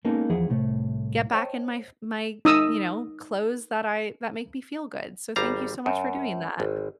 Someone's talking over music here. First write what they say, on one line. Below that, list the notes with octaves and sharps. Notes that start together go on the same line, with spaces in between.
get back in my f my, you know, clothes that I that make me feel good, so, thank you so much for doing that.
G#3 A#3 B3 C#4 D#4 A4
E2 F3 E4 G#4 F#5
C2 A2 C3 A3
C5 C#5 D#5 G5 A5
D#4 D#6 E6
G#1 G3 F5 A#5
F#2
G#1